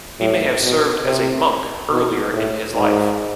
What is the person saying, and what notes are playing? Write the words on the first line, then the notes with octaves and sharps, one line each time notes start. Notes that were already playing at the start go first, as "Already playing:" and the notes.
He may have served as a monk earlier in his life.
A2
B2
C3
B2
A2
G#2